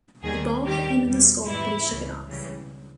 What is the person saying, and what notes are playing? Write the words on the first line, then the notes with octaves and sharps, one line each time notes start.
The ball hit him in the skull, but he shook it off.
D#2 D#3 G3 G#4
D#2 D#3 G3 G4
E2 B2 G3
G#2 E3 G3 E4
C#2 C#3 E3
C#2 C#3 E3 G3